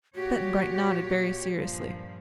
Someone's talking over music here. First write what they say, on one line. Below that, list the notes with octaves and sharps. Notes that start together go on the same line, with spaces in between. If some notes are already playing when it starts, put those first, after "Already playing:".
Button-Bright nodded, very seriously.
A#2 F#4 G4 C#5
G2 A#2 F3